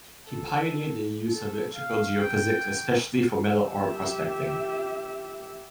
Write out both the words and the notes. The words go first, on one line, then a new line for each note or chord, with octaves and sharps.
He pioneered the use of electrical geophysics, especially for metal-ore prospecting.
A4
A4
F5
G5
G4 E5